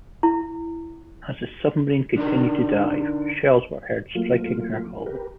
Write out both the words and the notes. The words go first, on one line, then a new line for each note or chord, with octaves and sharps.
As the submarine continued to dive, shells were heard striking her hull.
E4
D3 D4 D#4 A#4
F#3 A3 A#3 F4
G4 A#4 B4